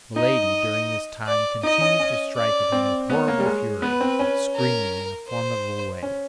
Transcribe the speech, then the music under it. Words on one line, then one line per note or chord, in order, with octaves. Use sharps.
Milady during this time continued to strike at him with horrible fury, screaming in a formidable way.
D#4 D#5
D5
D#4 D#5
C#4
C#4
D5
C4
B3 C#5
A#3
G3
G#3
B3 B4
C4
C#4
A#4
C5
C#4